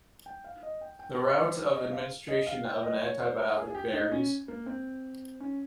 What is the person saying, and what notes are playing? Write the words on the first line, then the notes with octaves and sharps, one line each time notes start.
The route of administration of an antibiotic varies.
G5
F5
D#5
G5
G5
D#5
C5
D#5
F5
D#5
F5
G5
D#5
C#5
C5
A#4
G#4
G#4
G4
D#4
C#4
A#3
C4
C#4